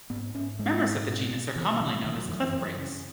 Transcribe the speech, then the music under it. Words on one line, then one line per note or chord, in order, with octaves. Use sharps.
Members of the genus are commonly known as cliffbrakes.
G#2 B3
G#2 C#4
G#2 G#3
G#2
B2
B2
B2 E3
B2 D#3
F#2 D#3
F#3
F#2 E3
E3
F#2
C#3